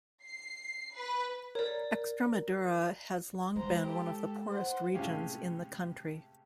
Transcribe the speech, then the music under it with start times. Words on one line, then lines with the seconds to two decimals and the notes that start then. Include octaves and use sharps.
Extremadura has long been one of the poorest regions in the country.
0.24 C7
0.95 B4
1.55 A#4 C#5 D5
3.56 G#3 C5 A#5
3.86 G4 A4
4.49 C5 F#5
4.94 A2 C3 G#3 C#4 G4 F5